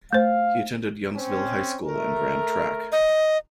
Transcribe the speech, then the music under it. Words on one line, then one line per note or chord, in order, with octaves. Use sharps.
He attended Youngsville High School and ran track.
A3 C5 F5
C4 C#4
A3 A#4
D#5